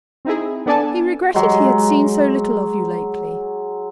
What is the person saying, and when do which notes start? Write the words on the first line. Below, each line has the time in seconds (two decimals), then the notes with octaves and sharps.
He regretted he had seen so little of you lately.
0.25 C4 D#4 E4 G#4
0.66 B3 D4 A4 D5 G#5 A5
1.34 F#3 G#3